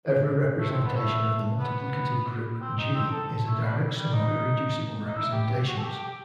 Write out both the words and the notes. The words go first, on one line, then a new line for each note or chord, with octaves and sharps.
Every representation of the multiplicative group "G" is a direct sum of irreducible representations.
A3
C4
B3
A3
B3
C4
D#4
C4
A4
A3
G3
G3
D#4
D#4
E4
G4
G4
F#4
A4
G4
G4